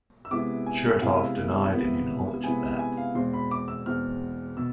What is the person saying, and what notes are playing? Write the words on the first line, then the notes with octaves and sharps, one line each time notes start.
Chertoff denied any knowledge of that.
E6
C3 G#3 B3 E4 D6
G#5
C3 G#3 B3 E4 F5
C3 G#3 B3 E4
C3 G#3 B3 E4 G#5
G#5
F5
E2 B2 G#3 C4 C6
B5
D6
E6
E2 B2 G#3 C4 F6
B2 E6